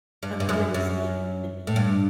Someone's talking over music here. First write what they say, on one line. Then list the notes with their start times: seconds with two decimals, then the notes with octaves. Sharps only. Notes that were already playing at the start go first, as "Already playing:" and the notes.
a common mistake could be
0.23 G2
0.40 G2
0.49 F#2
0.74 F#2
1.67 A2
1.76 G2